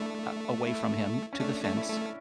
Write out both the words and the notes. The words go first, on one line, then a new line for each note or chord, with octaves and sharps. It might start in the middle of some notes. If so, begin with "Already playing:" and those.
a away from him to the fence,
Already playing: A3 D4 E4
E4
C#4
A3 D4
A3
E4
A3